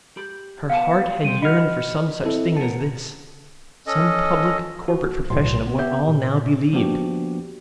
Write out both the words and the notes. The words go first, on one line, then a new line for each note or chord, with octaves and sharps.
Her heart had yearned for some such thing as this--some public corporate profession of what all now believed.
G4 B5
B3 F5 G5 A5
C#3 G3 G4 C5 D#7
F#4 D#5 B5 F6
C4 E4 A4
B3 C#4 A#4 A5
C#4 A4 D#5
F#4
B1 A2 C6
B3
B3 G4 E5 G6
A#2
F3 A#3 B3 D4 F#4 G4